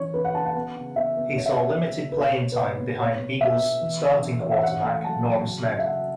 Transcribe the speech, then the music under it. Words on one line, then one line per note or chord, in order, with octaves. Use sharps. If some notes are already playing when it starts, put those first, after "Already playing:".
He saw limited playing time behind Eagles starting quarterback Norm Snead.
Already playing: E3 C#4 C#5
C#4 B4
F#5
C#4 A5
F#5
B3
C#3
B3 E5
B3
C#4 C#5
E5
C#3 C#5
C#3
C#3
B4
B2 C#5
B2
B4
B3 C#5
B2
B3 C#5
B3
B3 E5
B3
E3
E3
C#4
E3 C#5
E5
C#4 F#5
A3
F#5
F#3 A5
F#3
C#3
C#4
E5
C#3 F#5